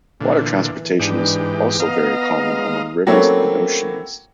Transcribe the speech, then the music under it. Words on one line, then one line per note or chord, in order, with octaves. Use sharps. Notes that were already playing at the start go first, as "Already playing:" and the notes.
Water transportation is also very common along rivers and oceans.
A#2 D3 E3
G#2 E3 D4 G4
B3 D#5 F5 A#5
G#3
F#3 A3 A#3 C4 C#4 E4